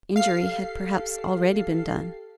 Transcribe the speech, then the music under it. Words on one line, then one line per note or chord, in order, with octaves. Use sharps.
Injury had perhaps already been done.
G4 A4 F5 C7